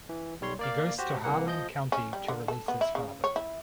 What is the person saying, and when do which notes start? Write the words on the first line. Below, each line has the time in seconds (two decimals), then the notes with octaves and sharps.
He goes to Harlan County to release his father.
0.09 E3
0.41 B1 G3 C#5 C6
0.59 A#3 D5 F5
0.98 F#4 G4 C5
1.24 C2 A#3 F#5
1.46 F3 D#5 G6
1.92 C#4
2.13 G3
2.28 D3
2.48 A4
2.68 B3
2.81 E4
2.95 C#3
3.24 C#5
3.36 E4